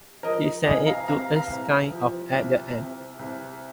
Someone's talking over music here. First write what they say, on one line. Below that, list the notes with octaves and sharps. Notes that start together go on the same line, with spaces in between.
He sent it to us kind of at the end.
F3 A#4 D#5
C2 D#5 G#5
F5 A#5
C3 F5 A#5
F5 A#5
C2
F3
C2
C3
C2